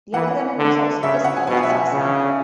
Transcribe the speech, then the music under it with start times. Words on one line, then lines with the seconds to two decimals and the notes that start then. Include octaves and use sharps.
The academic results of this college is outstanding.
0.13 E3 F#5
0.58 D3
1.02 C#3 E5
1.14 C#5
1.24 F#5
1.37 G#5
1.47 B2 G#5
1.54 F#5
1.63 E5
1.69 F#5
1.92 C#3